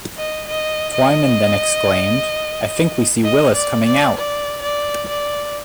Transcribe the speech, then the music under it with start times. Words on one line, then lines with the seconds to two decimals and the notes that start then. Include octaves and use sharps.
Twyman then exclaimed: I think we see Willis coming out!
0.17 D#5
0.48 D#5
0.93 D#5
3.24 D#5
3.55 D5
3.85 D5
4.16 D5
4.62 D5
5.08 D5